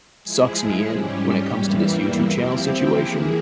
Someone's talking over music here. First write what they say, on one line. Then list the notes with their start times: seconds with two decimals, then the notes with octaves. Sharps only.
sucks me in when it comes to this YouTube channel situation,
0.22 F3 G#3 E4 G#4
0.90 G#2 G3 C#4 G4
1.57 E2 E3 G3 A#3 E4
2.25 F3 C4 E4 G4
2.91 E3 A#3 E4 G#4